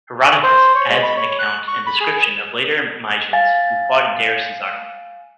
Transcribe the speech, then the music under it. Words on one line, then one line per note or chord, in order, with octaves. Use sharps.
Herodotus adds an account and description of later Mysians who fought in Darius' army.
C#6
C5
C#5
G#3
B5
C#5
F#6
C#6
B5
G#4
F5 G#5 A6